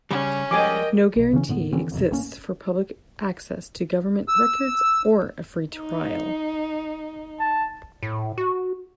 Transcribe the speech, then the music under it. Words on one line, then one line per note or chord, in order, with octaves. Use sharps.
No guarantee exists for public access to government records or a free trial.
C#3 G3 C#4
F3 G3 G#3 A#4 D#5 G5 G#5 D6
A#1 B2
C#3 E3 C#4
D#1 A2 D3 B3
D3 E3 C4 C#4
E1 B1 F2 C3
D1 A1 A#3 C#4
E6
D#4
A5
A2
F#4